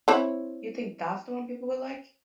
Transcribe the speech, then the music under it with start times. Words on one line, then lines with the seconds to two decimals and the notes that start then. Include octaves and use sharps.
You think that's the one people will like?
0.08 C4 E4 C#5